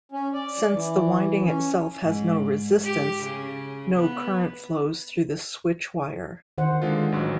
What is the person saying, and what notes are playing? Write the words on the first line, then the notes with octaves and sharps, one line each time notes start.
Since the winding itself has no resistance, no current flows through the switch wire.
C#4
D5
E3
C#4
G#2
G4
C#3
B3
D#3 C5 F#5
D3 G#3 F4
A1 F#3